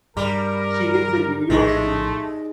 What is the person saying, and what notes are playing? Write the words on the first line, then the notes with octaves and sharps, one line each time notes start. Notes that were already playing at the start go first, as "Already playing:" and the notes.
She lives in New York City.
G2 G3 A#4 A#5 D6
A#1 A2 F3 G#3 A3 D#4